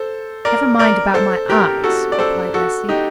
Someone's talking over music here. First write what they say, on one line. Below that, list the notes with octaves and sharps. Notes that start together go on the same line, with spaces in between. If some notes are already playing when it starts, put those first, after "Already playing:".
"Never mind about my eyes," replied Leslie.
Already playing: A4 C5
A#4 D5
A#4 D5
A4 C5
G4 A#4
F#4 A4
D5
A4 C5
F#4 A4
D#4 G4